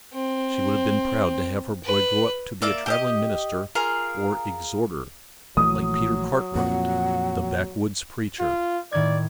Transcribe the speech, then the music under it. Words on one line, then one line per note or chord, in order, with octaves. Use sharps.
She would have been proud to have her boy grow up to be a traveling minister or exhorter, like Peter Cartwright, "the backwoods preacher."
C4
B4
A#3 D5 E5 D6
G4 A4 D#5
F4 G#4 A#4
A#1 E3 F#3 A3 D#6
F2 A#2 F#5
F4
A2 D#3 D5 G#6